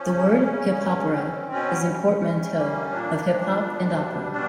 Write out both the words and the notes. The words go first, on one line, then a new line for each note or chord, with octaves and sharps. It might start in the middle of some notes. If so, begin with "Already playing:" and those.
The word "hip hopera" is a portmanteau of "hip hop" and "opera".
Already playing: F3 C#4
C#3
C#3
B2
C4
B2 C#4
G3
G3
A#3
A#2 D4
A#2
B2
G3
B2 D4